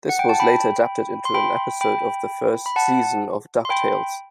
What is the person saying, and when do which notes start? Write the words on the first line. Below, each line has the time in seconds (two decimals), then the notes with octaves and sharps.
This was later adapted into an episode of the first season of "DuckTales".
0.09 F#5
0.19 G5
0.29 A5
0.40 G5 B5
1.25 C6
1.34 G5 B5
1.81 G5 B5
2.66 B5
2.76 F#5 A5
3.65 C6
3.70 G5 B5